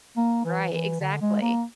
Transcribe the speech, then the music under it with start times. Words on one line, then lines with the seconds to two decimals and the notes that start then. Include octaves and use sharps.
Right, exactly.
0.17 A#3
0.45 E3
0.73 E3
1.00 D3
1.21 G#3
1.41 A#3